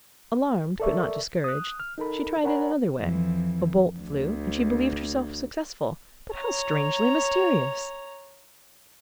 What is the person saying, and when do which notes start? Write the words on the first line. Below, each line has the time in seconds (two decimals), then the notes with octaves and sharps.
Alarmed, but not discouraged, she tried it another way; a bolt flew, and she believed herself successful; but how strangely mysterious!
0.80 A4 A#4 D5 E5 C#6
1.44 D#6 F#6
1.80 F6
1.98 D#4 A4 A#4 B5
2.44 A#4 C#5 F#5 G#5 A#5 B5
3.00 F2 E3
4.01 D2
6.35 C#5 A#5